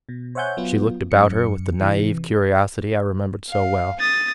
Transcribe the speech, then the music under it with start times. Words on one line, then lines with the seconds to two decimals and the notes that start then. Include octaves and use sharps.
She looked about her with the naive curiosity I remembered so well.
0.09 B2
0.35 C5 C#5 E5 F#5 G#5 G6
0.57 F#3 B3 F4
1.11 F#2 C#7
1.81 C3 E3
3.49 F5
4.00 D#6 A6